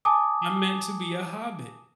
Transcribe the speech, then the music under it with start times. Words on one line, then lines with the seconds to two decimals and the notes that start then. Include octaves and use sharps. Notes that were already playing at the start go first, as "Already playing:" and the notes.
I'm meant to be a hobbit."
0.05 G#5 A5 D6 D#6